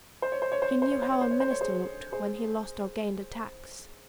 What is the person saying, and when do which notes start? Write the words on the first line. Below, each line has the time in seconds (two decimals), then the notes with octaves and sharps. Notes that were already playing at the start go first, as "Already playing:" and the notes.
He knew how a Minister looked when he lost or gained a tax.
0.22 C5
0.32 C#5
0.42 C5
0.52 C#5
0.62 C5
0.71 C#5
0.82 C5
0.92 C#5
1.02 C5
1.11 C#5
1.21 C5
1.31 C#5
1.40 C5
1.51 C#5
1.61 G#4 C5
2.12 G#4 C5